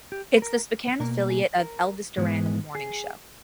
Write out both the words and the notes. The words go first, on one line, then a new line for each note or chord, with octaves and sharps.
It is the Spokane affiliate of "Elvis Duran and the Morning Show".
G4
B4
A#4
B2 A#3 A#4
G#4
A#4
G#2 E3 G#3 B3
G#4